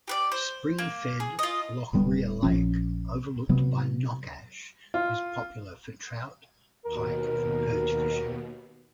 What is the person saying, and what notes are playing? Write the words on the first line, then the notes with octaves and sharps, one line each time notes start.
Spring-fed, Loughrea Lake overlooked by Knockash is popular for trout, pike and perch fishing.
G4 B4 D5
C5
A#3
G#4
F4 D#5
D1 D3 G3 B3
A#1 F3 C#4
C3 F#3 B3
F4
D#2 B2 A#4